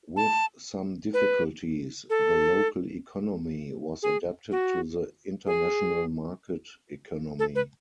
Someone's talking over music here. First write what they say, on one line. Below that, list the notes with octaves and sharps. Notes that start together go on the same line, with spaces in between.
With some difficulties, the local economy was adapted to the international market economy.
A5
B4
A4
G#4
F#4
G#4
A4
B4